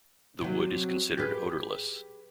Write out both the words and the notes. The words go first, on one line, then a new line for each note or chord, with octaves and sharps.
The wood is considered odorless.
C3 F#3
G4 G#4 B4